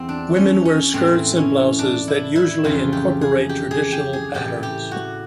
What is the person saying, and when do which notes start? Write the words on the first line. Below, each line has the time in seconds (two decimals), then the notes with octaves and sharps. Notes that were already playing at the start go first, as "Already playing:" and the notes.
Women wear skirts and blouses that usually incorporate traditional patterns.
Already playing: E2 C4
0.09 D4
0.37 C#4
0.65 C#4
0.93 A2 E3 C4
1.36 C#4
1.79 D4
2.08 E4
2.36 E4
2.64 F2 C#3 E3 F4
2.92 G4
3.21 G#4
3.49 G4
3.71 G#4
3.92 G4
4.13 G#4
4.34 A2 E3 G4
4.63 G4
4.91 F#4